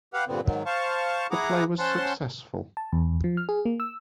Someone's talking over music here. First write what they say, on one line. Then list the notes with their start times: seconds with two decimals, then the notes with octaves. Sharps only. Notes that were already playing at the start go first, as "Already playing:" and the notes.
The play was successful.
0.14 G4 B4 F5 F#5
0.28 G2 A#2 D3 B3 C4
0.44 G#2 D#3 F#3
0.66 C5 F5 A5 C#6
1.31 E4 G#4 F#5 A#5 D6
1.79 C#4 C5 F#5 A5 C6
2.77 A5
2.93 E2
3.24 F3
3.37 F6
3.49 G#4
3.66 A#3
3.80 E6